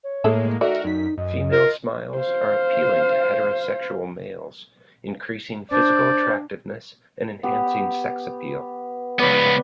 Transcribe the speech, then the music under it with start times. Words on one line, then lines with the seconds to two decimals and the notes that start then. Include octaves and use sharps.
Female smiles are appealing to heterosexual males, increasing physical attractiveness and enhancing sex appeal.
0.04 C#5
0.24 A2 G#3 A#3 G#4 A4 E5
0.61 D#3 A3 F#4 A#4 D5 E5
0.84 F#2 D#4 B6
1.18 F#2 D#5
1.52 F4 A#4
2.17 C5 F5
5.71 D4 C5 D5
7.43 B3 G4
9.19 C#2 B3 B4 D5